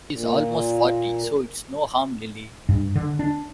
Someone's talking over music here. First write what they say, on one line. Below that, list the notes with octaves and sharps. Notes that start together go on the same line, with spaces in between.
He's almost forty, so it's no harm, Lily.
A#2
G2
D3
D4